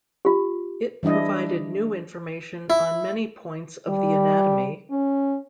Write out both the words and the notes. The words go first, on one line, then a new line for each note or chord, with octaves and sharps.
It provided new information on many points of the anatomy.
F4 G4
E3 G3 D4 E4 D#5
E4
G3
C#4